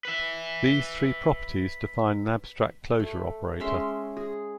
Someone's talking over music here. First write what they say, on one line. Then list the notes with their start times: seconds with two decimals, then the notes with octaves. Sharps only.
These three properties define an abstract closure operator.
0.05 B4 E5
3.00 A3
3.60 G#3 C#4 E5 C6
4.17 G#4